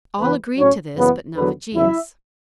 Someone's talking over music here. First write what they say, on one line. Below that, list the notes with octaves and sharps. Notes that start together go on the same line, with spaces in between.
All agreed to this but Navigius.
E2 C#3 E3 B3 B4
A2 F#3 C#4 C#5
F#2 C#3 E3 B3 B4
E2 D3 F#3 B3 B4
E2 C#3 F#3 E4 E5